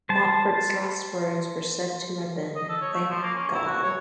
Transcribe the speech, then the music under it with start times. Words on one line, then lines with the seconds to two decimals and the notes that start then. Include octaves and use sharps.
Montfort's last words were said to have been "Thank God".
0.09 C5 A5
2.56 D#5
2.69 A4
2.81 C#5
2.93 A3
3.10 F3
3.23 A#3
3.34 C#4
3.53 E4
3.66 F#4
3.83 C#5